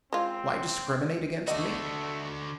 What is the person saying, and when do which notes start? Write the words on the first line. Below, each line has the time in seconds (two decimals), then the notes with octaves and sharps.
Why discriminate against me?
0.13 G#3 C4 F4
1.48 D3 A3 F#4 D#5